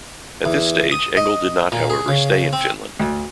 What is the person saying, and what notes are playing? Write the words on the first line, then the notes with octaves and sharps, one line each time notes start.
At this stage Engel did not however stay in Finland.
E2
D#6
D#5
A#2
G#4
C#3
C4
D2